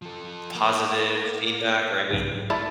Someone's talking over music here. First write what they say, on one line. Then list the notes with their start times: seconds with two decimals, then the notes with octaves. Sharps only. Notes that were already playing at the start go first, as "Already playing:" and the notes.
positive feedback or, I mean
0.02 F3 A4
0.55 A#3
2.11 B1 G#2 C#3
2.50 A3 E4 D5 A5